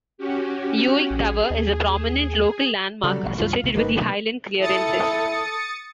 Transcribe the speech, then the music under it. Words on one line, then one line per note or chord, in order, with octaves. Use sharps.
Uig Tower is a prominent local landmark associated with the Highland Clearances.
C#4 F#4 G4
A#1 G#4
D#2
C#3 F#3 G3 A4
A1 B2
C#2 G2 E3 F4
C2 F#3 A3
G1 C#3 A#3 D#4 B4
B2 F#3 A3
E4 A4 D#6 A6 C#7